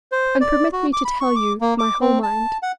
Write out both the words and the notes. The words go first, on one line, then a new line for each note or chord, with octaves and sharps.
And permit me to tell you my whole mind.
C5
D5
F#4
D6
B5
C#6
D6
A#3
D6
C4
A5
F#5